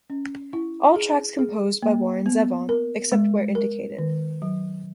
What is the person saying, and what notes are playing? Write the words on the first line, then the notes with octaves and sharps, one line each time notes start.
All tracks composed by Warren Zevon, except where indicated.
C#4
E4
G#4
G#4
A#3
B3
A#4
G#3
A#4
D#3
F#3